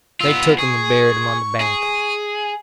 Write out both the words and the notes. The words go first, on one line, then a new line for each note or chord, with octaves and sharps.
They took him and buried him on the bank.
B3 F4 E6
G#4 C#6
G#4